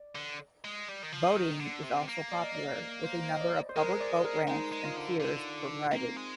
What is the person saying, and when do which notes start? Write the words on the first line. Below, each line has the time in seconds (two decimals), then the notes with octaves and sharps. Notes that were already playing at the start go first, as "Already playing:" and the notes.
Boating is also popular, with a number of public boat ramps and piers provided.
Already playing: D5
0.15 D3
0.64 G#3
0.89 G3
1.03 D#3
1.12 F3
1.36 D#3
1.60 D3
1.83 C3
2.09 A#3
2.31 D5
2.43 D#5
2.55 D5
3.04 C5
3.33 D#5
3.40 D5
3.69 C5
3.76 G#3 A#4
4.00 D5
4.25 A#4
4.48 G#3 D#4
4.72 G#3
4.85 F4
4.97 D3
5.20 D3
5.92 A#3 C4
6.17 G#3